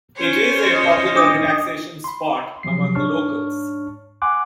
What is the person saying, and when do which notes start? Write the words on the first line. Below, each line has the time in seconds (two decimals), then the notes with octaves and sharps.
It is a popular relaxation spot among the locals.
0.15 C#4 C5 C#5
0.70 D#5
1.16 D4 D6 D#6
2.04 B5 C6
2.63 C3 F3 F#3 C7
2.95 G#2 D4 C#5 A5 C#6 F6
4.22 F#5 G#5 C6 D6 F#6